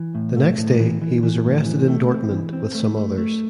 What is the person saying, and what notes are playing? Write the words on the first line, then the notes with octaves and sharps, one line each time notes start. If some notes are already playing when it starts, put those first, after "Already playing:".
The next day he was arrested in Dortmund with some others.
Already playing: E3
A2
A3
A2
E3
E3
E3
A2
E3
A3
C4
E3
C4
A3
A3
A3